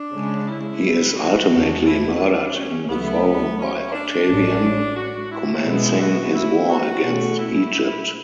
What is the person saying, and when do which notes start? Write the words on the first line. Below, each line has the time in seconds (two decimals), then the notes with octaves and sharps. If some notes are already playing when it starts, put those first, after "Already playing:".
He is ultimately murdered in the Forum by Octavian, commencing his war against Egypt.
Already playing: D4
0.14 C#3 G#3 C#4
0.48 E4
1.17 F#4
1.52 E2 C#3 G#3 D4 G#4
1.86 E4
2.20 D4
2.55 C#4
2.89 D2 C#3 F#3 A3 B3 E4
3.59 C#4
3.93 D4
4.28 A1 A2 F#3 C#4
4.96 F#4
5.31 E4
5.65 B2 G#3 B3
6.00 F#4
6.35 E4
6.69 F#4
7.04 B2 A3 C#4
7.38 E4